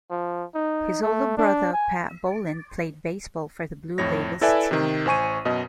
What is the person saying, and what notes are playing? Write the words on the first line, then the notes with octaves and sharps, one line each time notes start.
His older brother Pat Boland played baseball for the Blue Labels team.
F3
D#4
A3
D4
G#5
F2 A2 C#5 A#6
E4 A4 B4 D5 E5 G#5
C3 D#3
A1 C5 G#5 C#6 D#7
F#2 B2 D#5